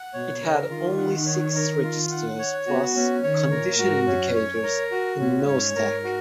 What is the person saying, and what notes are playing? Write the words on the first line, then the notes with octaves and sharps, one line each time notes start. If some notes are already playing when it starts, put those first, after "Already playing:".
It had only six registers plus condition indicators, and no stack.
Already playing: F#5
B2 C#5
C#3 A#4
D#3 F4
F#5
C#5
A#4
F4
F#5
C#5
B3 F#4
B3 C#4
D#3 C#5
A#2 A#4
G#2 F#4
F#2 C#4
C#5
A#4
F#4
A#2 C#4
G#2 C#5
G#2 A#4
F#4